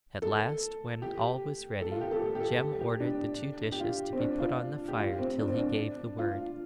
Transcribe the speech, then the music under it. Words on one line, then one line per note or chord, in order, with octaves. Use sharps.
At last, when all was ready, Jem ordered the two dishes to be put on the fire till he gave the word.
A4
G4
A4
F4
G4
A4
G4
G4
A4
G4
D4
G4
F4
C4
D4
F4
G4
F4
C4
D4
C4
D4
F4